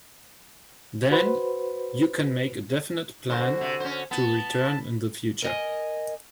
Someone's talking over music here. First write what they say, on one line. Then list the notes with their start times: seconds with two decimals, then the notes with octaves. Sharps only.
Then, you can make a definite plan to return in the future.
1.11 F#4 B4 C5
3.30 D3 F#4 C5
3.61 C3
3.80 C#4 C5
4.11 B3 A5
5.42 A#4 D#5 G#5